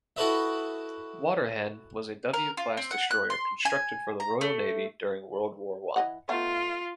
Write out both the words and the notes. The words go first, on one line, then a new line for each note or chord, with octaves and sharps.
"Waterhen" was a W-class destroyer constructed for the Royal Navy during World War One.
E4 F#4 A4 B4 D#5 E5
A#4
F4
C4
F#5
F#6
C6
G#5
A#5
A3
E3 D#5 F#5
A3 B3 D#4 F4